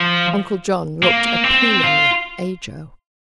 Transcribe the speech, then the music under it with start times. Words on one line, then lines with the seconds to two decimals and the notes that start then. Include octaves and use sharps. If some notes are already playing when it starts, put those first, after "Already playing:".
Uncle John looked appealingly at Ajo.
Already playing: F3
1.03 A#3
1.44 C4
1.84 F4